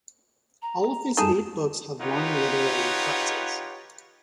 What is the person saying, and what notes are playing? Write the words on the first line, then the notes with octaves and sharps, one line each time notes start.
All of his eight books have won literary prizes.
A#5
F#2 G3 D#4 G#4 A4 A5
D#4 F4 G4 B4 C#5 F#5